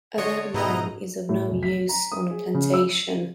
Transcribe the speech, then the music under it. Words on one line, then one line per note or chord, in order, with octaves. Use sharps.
A dead man is of no use on a plantation.
D3 C#5 D#5 F#5 C6 D#6
G#2 B2 B3 D#4 E4 D#5 A#5
A2
F1
B6
A#5
D#6
G#4
C#3
E6
D#7